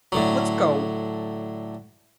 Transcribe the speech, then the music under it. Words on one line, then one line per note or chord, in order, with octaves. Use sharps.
"Let's go."
A2 D3 F#3